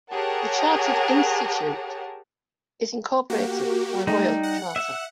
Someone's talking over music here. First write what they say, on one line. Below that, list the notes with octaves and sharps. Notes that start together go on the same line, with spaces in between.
The Chartered Institute is incorporated by Royal Charter.
G4 G#4 A#4 C#5 F#5 A5
A#3 F#4 G4
G3 A3 D#4
F#5
E5